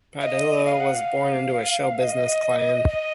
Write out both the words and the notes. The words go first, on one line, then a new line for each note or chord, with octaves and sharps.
Padilla was born into a show business clan.
F5
D#5
F5
F#5
F5
D#5
D#5